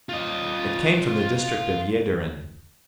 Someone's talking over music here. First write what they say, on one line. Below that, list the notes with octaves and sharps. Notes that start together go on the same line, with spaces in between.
It came from the district of Jaederen.
F4 D#5